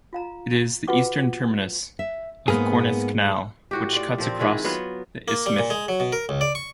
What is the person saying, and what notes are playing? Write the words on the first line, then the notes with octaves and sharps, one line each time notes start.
It is the eastern terminus of the Corinth Canal, which cuts across the isthmus.
F4 F5 A#5
F4 F#4 B4 F#5 C#6 D6
E5
G#2 G#3 A#3 B3 G#4
A2 F#4 G4
F4 D5
A#2 F3 C4
D#3 G#3 E4 F4
F#3 B3 F4
A#3
G3
A#2
G#3
F#3
B2
A#4
C#2
D5
C#6